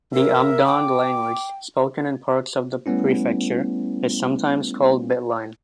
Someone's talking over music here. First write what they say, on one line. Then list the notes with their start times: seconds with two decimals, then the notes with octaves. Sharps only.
The Amdang language, spoken in parts of the prefecture, is sometimes called "Biltine".
0.14 A#4 E5
0.65 G5 D6
2.86 G3 A3 B3 C#4 E4